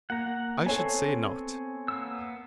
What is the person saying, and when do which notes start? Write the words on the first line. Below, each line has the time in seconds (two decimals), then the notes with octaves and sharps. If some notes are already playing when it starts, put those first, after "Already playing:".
I should say not.
0.10 A#3 F#5 A#5
0.66 B3 C4 A4 C#5 G#5
1.88 A#3 B3 E6